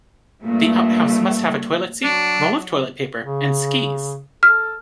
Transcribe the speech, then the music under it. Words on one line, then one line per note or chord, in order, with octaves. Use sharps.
The outhouse must have a toilet seat, roll of toilet paper, and skis.
G2 A#2 A3
F#3 D4
C#3
A4 F6